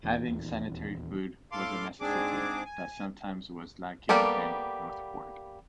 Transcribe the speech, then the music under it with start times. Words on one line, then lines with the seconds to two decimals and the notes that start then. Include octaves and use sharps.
Having sanitary food was a necessity that sometimes was lacking in Northport.
0.03 D#1 E2
1.52 A2 A4 F5 C6 D6
2.01 G#2 C4 D4 G#4 D6
2.65 G#5
4.09 G3 A#3 B3 G4 A4